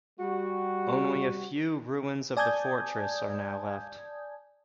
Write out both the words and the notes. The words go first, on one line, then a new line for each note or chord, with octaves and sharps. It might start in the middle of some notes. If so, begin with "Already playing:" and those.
Only a few ruins of the fortress are now left.
G3 F#4
D5 G#5 A5 D#6 G6 G#6